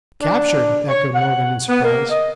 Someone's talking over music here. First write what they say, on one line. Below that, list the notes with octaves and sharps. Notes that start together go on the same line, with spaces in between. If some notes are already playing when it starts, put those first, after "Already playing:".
"Captured?" echoed Morgan, in surprise.
D4
C#5
F#5
B3
A#3
D#5